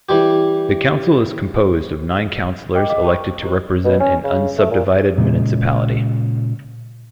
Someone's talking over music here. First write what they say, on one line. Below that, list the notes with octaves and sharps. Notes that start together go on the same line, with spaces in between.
The council is composed of nine councillors elected to represent an unsubdivided municipality.
E3 G3 G4
D#5 G5 B5 D6
G#4 D#5 F5 D6
G5 A5 B5 C#6
E4 G4 A#4 C5
B2
C#4
C#3
A3
A#2
A#2 C#3 G#3